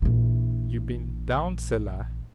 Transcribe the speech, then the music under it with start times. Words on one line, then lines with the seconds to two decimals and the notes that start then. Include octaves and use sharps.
"You been down cellar?"
0.02 A#1 E3